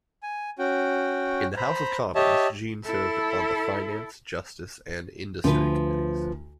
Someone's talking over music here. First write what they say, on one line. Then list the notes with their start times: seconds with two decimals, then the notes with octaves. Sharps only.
In the House of Commons, Jean served on the Finance, Justice, and Industry Committees.
0.23 G#5
0.59 C#4 F#4 G5
1.57 C5 A#5 B5
2.15 G4 C#5 D#5 E5 A5
2.86 E4 A4
5.44 D2 F3 B4